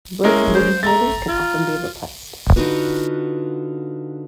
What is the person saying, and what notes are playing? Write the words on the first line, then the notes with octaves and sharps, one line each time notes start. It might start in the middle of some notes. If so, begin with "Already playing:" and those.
Broken wooden handles can often be replaced.
G#3 C#4 E4 A#4
C5
A3 A#5 A6
F4
D3 D#4 F4 F#4 B4